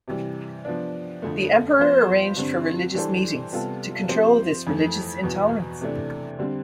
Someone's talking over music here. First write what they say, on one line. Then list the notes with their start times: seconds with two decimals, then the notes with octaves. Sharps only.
The emperor arranged for religious meetings to control this religious intolerance.
0.08 C3 E3 G3
0.65 F3 B3 D4
1.22 F2 D3 F3 A3
1.79 F3 B3 F4 C5
2.36 G2 D3 G3 C4
2.94 E3 G3 D4 A4 C5
3.52 C3 G3 B3 F4 A4
4.09 F3 C4 G4 C5
4.67 F2 E3 A3
5.23 E2 B2 B3
5.81 C3 E3 A3 D4
6.39 D3 G3 C4